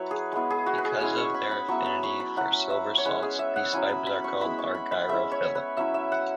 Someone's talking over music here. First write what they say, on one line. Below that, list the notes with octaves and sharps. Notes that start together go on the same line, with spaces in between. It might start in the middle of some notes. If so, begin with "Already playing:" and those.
Because of their affinity for silver salts, these fibers are called argyrophilic.
Already playing: F#3 E4 B4 C#5
G#4
G#3 B3 E4
G#4
F#4
B4
G#4
G#3 C#4 E4 G#5
C#6
B5
B5
F#3 B3 E4 C#6
B5
C#6
B5
F#3 C#4 E4 F#5
E5
C#5
G#3 C#4 E4 B4
G#4
E5
F#5
F#3 C#4 E4 G#5
B5
B5
C#6
G#3 B3 E4 B5
C#6
B5
B5
G#3 C#4 E4 E5
C#5
B4
F#3 C#4 E4 E5
E5
F#5